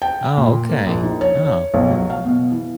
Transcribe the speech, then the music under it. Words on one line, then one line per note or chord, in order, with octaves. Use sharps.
Oh, okay. Oh,
G5
A#2
A#3
A#1
D#4
C#5
C#5
B1
F#3
F5
B2
E3